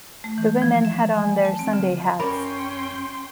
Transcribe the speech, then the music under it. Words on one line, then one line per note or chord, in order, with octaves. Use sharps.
The women had on their Sunday hats.
A3
E3
F3
E5
G#5
A5
C4
D3
F#2 C#4 A#4 D5 G5 B5 C6